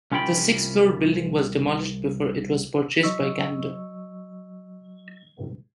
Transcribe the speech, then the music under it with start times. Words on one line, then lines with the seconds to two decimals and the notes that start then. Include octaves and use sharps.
The six floor building was demolished before it was purchased by Canada.
0.12 C2 C#4 F4 G4 G5 B5
3.03 F#3 D#5 C#6 E6